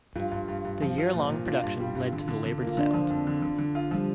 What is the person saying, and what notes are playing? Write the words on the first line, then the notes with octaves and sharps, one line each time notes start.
The year-long production led to the labored sound.
G2 F4
G2
G2
G2
F3
F4
A#2
A#2
D4 F4
G2
G3
G2
D3
D3
D3
A#3
F4
D3 D4
F3
F2
D3
D3
D3
F4
F3 G3